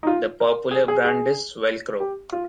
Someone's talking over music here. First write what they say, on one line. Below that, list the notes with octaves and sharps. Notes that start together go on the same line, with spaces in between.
The popular brand is Velcro.
D#4
F4
A#4
G#4
G#4
G#4
G4
F4